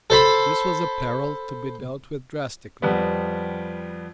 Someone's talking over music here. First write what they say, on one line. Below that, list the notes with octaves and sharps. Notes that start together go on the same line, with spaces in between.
This was a peril to be dealt with drastically.
A4 C5 B5
F2 G3 B3